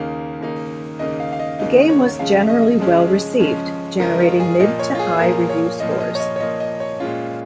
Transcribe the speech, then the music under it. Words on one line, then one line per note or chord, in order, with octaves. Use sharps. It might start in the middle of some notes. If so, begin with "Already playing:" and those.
The game was generally well received, generating mid to high review scores.
Already playing: D#2 C#3 A#3 D#4 F5
D#2 C#3 A#3 D#4
D#2 C#3 A#3 D#4 D#5
F5
F5
D#5
D#2 C#3 A#3 D#4 D#5
C#5
C#3 F3 G#3 C#4 F5
D#5
C#3 F3 G#3 C#4
C#3 F3 G#3 C#4
C#3 F3 G#3 C#4 A#4
F4
G#4
A#2 F3 A#3 D#5
C#5
F4
G#4
A#2 F3 A#3 A#4
C#5
A#2 F3 A#3 D#5
D#5
C#5
D#5
C#5
A#2 F3 A#3 D#5
D#5
C#5
A#2 G#3 C#4 F4